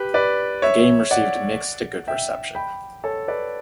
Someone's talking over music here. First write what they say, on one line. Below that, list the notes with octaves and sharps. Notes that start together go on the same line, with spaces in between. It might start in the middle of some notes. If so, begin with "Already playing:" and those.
The game received mixed to good reception.
Already playing: G4 B4
B4 D5
C#5 E5
D5 F#5
E5 G5
G5 B5
A4 C#5
B4 D5